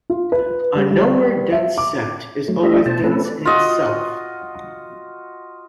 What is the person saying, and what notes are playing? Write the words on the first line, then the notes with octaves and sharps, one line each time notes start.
A nowhere dense set is always dense in itself.
F4
B4
G3
G3
E5
D6
F#3 A3
G3 A3 D4 G4 D#5 E5
B2 C5 A5
A3 C4 C#4 A4 B4
D5
F4 F#4 D#5